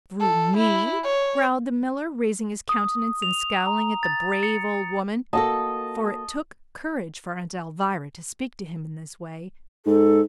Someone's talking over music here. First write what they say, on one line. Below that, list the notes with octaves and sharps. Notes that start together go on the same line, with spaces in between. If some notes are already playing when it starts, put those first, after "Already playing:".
"Through me?" growled the miller, raising his countenance and scowling at the brave old woman--for it took courage for Aunt Alvirah to speak to him in this way.
A4
E4
C#5
D#6
F7
A#5
A6
C#7
A#3 F#4 A4 D#5 A5
G#2 A4